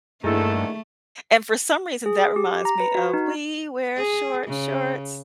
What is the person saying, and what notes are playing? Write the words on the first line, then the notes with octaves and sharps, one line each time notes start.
And for some reason, that reminds me of: We wear short shorts.
G2 D3 D#3 A3 A#3 E4 G#4 A4
G#4
G4
A#5
B4
F#4
D#4
G#4
C#3